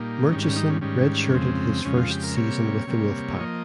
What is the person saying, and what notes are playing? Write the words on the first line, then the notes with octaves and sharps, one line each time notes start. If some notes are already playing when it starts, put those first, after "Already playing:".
Murchison redshirted his first season with the Wolfpack.
Already playing: A#2 G3 A#3 D#4
G#2 D#3 G3 C#4
C#4
D#4
C#4
G#2 D#3 G3 C#4
F2 C#3 G#3 C4
F2 C#3 G#3 C#4
F4
G4
A#4
C3 G3 A#3 C#5
C3 G3 A#3
F3 A#3 D#5